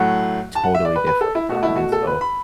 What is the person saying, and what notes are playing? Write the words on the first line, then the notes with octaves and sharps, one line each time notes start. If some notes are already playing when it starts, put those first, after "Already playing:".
totally different, um, and so
Already playing: A2 F#3 A3 F#5
A5
F#5
E5
D5
B4
B4
A4
E4
B2 A3 F#4
E4
F#4
A4
B4
B5